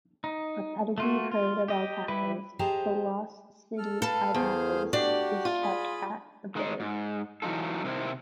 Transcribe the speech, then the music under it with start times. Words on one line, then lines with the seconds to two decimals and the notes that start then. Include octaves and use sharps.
A pedigree herd of alpacas, the "Lost City Alpacas", is kept at the village.
0.24 D#4
0.98 A3 F4 F#4
1.31 F4
1.68 G4 D#5
2.08 G3 E4 G4 B4
2.59 G4 G#4 C5 D#5 A5 A#5
3.78 A4 F6
4.02 A4 B4 F5
4.35 E2 G#4 C5 F5
4.93 D4 F#4 G4 D5
5.45 F4
5.63 G#4 B5
6.55 D#3 G#3 D#4
6.80 G#2
7.42 E3 F#3 D#4 F4 A4
7.84 C3 D#3 C4 E4